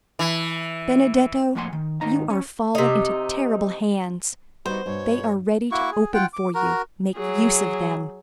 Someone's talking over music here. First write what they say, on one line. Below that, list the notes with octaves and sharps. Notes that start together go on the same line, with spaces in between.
Benedetto, you are fallen into terrible hands; they are ready to open for you--make use of them.
E3
F2 A2 A#3 F#5 G#5 C6
D#3
D#2 G#2 D#3 D#4 A#5
C#4
C3 D#4
G3 B3 D#4 F#4 C5
G2 B2 C#5
A#3 E4 F#4 C#6
G#4
F4 F#5 G5
D6
F#4 A#4 A#5
F#3 G#4